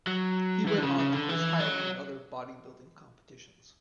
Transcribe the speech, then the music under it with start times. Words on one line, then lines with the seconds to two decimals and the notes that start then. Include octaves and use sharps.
He went on to place highly in other bodybuilding competitions.
0.07 F#3
0.64 D3
0.68 E3
0.78 D3
0.83 C#3
0.99 C#3
1.13 D3
1.29 E3
1.60 F#3